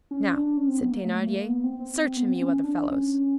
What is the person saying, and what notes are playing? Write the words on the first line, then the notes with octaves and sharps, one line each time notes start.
"Now," said Thenardier, "search him, you other fellows!"
C#4
D4
C#4
C4
B3
A#3
A3
A#3
B3
C4
C4
B3
C4
C#4
D4
C#4